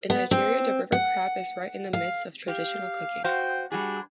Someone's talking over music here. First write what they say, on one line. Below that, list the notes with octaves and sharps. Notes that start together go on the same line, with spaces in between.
In Nigeria, the river crab is right in the midst of traditional cooking.
B3
C4
F#5
F5
G4 F5
F#4 C5 F5 G5
G3 D4 F#4 G#4